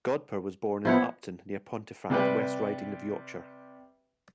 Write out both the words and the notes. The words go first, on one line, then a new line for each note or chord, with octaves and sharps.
Godber was born in Upton, near Pontefract, West Riding of Yorkshire.
F3 B3 E4 F#5
C3 G3 G4 B4